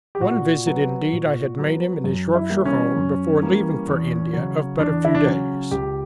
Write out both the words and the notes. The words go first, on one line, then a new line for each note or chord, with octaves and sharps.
One visit, indeed, I had made him in his Yorkshire home, before leaving for India, of but a few days.
G4
A#2 F#4
F#3 B3
A#2
F#3 B3
F#2
E4
E3 G3 A#3
C#4
F#2
E3 G3 A#3
E2
C#3 F#3
E2 D4
E4
D4
C#3 F#3 C#4
C#2 G4